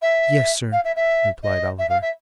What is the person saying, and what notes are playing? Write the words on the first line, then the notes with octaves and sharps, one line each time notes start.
'Yes, sir,' replied Oliver.
E5
F5
E5
E5
D#5
E5
F5
E5